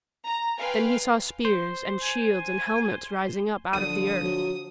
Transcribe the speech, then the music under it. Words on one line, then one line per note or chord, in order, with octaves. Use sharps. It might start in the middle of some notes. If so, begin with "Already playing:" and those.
Then he saw spears and shields and helmets rising up out of the earth.
A#5
B4 F5 G5 G#5 C6
C5
G#5
D3 F3 D#6 D#7
F#3